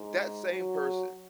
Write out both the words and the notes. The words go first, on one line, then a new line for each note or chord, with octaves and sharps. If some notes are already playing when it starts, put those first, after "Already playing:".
that same person
Already playing: G#2
F#3